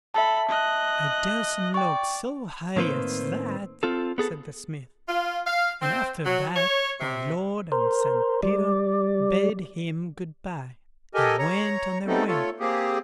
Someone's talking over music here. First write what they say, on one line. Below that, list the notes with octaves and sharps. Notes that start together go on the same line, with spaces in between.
'I durstn't look so high as that', said the Smith; and after that our Lord and St Peter bade him 'good-bye', and went on their way.
A4 E5 A5 B5
D#5 F#6
D5 G5 C#6
A2 D#3 A#3 C4 B4 C5
C4 F4 A4
B3 G#4 A4
F4
F5
C4
F#3
C#5
C3
A#4 C5
G3 D5
G4 A4 A#4 D#5 G#5
C#5 A#5
G3 A3 B3 C4 D#4 A4
A3 F4 A4 C#5
A#3 C4 G4 G#4